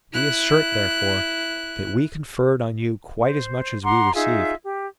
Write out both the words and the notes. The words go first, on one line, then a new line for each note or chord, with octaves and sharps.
We assert, therefore, that we conferred on you quite as much as we received.
E4 F#6
C5
F#5 A#5 C6 D6
D#4 F4 G#4 E5
G4